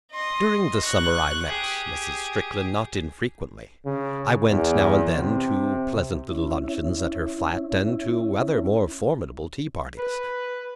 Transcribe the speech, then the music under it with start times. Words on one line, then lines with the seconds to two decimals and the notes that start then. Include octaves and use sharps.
During the summer I met Mrs. Strickland not infrequently. I went now and then to pleasant little luncheons at her flat, and to rather more formidable tea-parties.
0.11 D#5 C6
0.83 C#6 F#6
1.49 G4 G#4
3.85 C#3
4.49 E2
5.16 C3
6.30 C#4 E4
9.98 B4